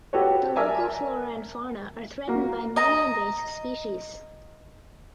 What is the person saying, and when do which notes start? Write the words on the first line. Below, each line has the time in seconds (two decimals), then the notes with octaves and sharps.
The local flora and fauna are threatened by many invasive species.
0.13 F#4 G4 A4 B4 C#5
0.56 A#4 D5 E5 G#5 A5
2.28 A#3 F#4
2.76 D#5 A#5